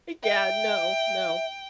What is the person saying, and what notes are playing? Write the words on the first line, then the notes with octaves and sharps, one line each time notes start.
Yeah, no, no.
E5 G5